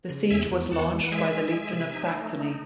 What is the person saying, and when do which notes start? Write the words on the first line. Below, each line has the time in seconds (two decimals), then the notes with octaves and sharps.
The siege was launched by the Legion of Saxony.
0.10 C#3
0.30 E2 E5 G#5
0.51 E2
0.71 E2 F#5 A5
0.91 E3
1.04 F#5
1.12 G#3 E5 G#5
1.32 G#3
1.53 G#3
1.73 C3
1.93 D#4
2.13 A3
2.34 D#4